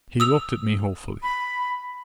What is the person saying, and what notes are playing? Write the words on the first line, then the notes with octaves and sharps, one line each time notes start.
He looked at me hopefully.
D#6 E6 F7
B5